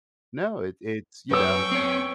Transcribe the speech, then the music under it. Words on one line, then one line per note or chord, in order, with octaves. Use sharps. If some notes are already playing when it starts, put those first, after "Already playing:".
No it it's you know,
F#2 B4 C#5 G5 C#6 E6
C4 C#5